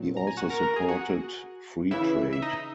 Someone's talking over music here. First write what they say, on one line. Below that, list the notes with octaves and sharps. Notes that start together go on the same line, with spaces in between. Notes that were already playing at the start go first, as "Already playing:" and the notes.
He also supported free trade.
Already playing: A#2 F#3
A#5
G#5
F#4 F#5
A#4 A#5
A#4 A#5
G#4 G#5
F#4 F#5
C#3 E3 E4 E5
E5
D#4 D#5